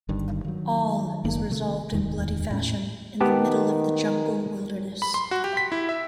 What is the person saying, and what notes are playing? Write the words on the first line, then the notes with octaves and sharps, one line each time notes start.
All is resolved in bloody fashion in the middle of the jungle wilderness.
G1 G2 D#3
D#3 F#3
F#1 D#3 A#3
C3 D#3 A3
D1 E2 D#3 G#3
A2 C#4
D#3 B3 G4 A5
B5
C6
F#4
G4
B6
E4
E5